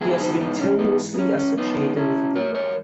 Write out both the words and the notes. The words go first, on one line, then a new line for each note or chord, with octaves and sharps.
He has been tenuously associated with Nimrod.
G#2 E3 G#3 B3 E4 G#4
D#4 F#4
B3 D#4
C#4
B3 D#4
B3
C#4
C#4
B3 D#4
C#4 E4
A#4 C#5
A#4 C#5